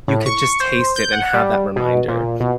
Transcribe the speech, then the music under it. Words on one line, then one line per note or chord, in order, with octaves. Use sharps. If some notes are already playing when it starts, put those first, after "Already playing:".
you could just taste it and have that reminder.
A2
C#6
C5
G6
F#5
G3
B2
A#2
B2